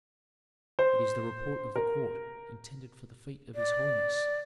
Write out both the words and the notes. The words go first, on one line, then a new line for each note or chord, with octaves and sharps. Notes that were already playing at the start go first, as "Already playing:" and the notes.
"It is the report of the court intended for the feet of his holiness."
C5
A#4
D5